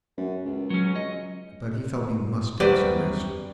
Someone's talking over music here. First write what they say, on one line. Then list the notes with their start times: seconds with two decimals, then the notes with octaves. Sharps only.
But he felt he must take some risks.
0.18 F#2
0.45 C#2
0.70 F#3 C#4
0.96 D#5
2.60 F#2 G3 B4 C5 D5